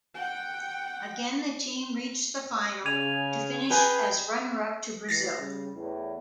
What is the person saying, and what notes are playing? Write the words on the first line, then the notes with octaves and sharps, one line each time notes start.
Again the team reached the final, to finish as runner-up to Brazil.
F#5 G5
C#3 G#5 G#6 D#7 F7
G#4 B4 G5 G#5 A#5
A2 E3 A6 A#6 C7
C#3 G3
E2 A2